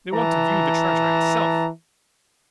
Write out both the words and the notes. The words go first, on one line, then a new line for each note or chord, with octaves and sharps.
They want to view the treasure itself.
E3 A5 A#5